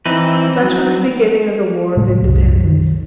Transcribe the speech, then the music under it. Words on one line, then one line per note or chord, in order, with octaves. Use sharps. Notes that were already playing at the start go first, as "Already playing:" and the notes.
Such was the beginning of the war of independence.
E3 C4 D#4 B4
F#3
A2 C#3 G#3 A3
C2 F#2
D#3